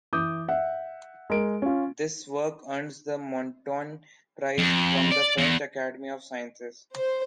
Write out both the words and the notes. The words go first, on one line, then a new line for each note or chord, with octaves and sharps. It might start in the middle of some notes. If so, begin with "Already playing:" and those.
This work earns the Montyon Prize from the French Academy of Sciences.
E3 D6 D#6 G6
E5 F#5
G#3 A#4 D7
C#4 F4
F2
D5
E2
C5